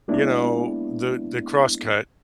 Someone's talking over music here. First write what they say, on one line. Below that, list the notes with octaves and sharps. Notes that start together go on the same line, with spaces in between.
you know, the the crosscut,
G#3 A#3 B3 D4 E4